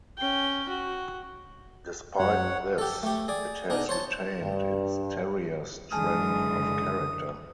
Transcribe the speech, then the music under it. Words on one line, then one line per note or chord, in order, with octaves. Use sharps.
Despite this, it has retained its terrier strength of character.
C#4 G5
F#4
F#2 F#3 C#5 F#5
G4 A4
A3 G4
G#4 D5
B2 D4 D#4 G#4
C5 C#5 A5
G2
F#2 D3 E3 G#3 G#5 A5 D#6 F6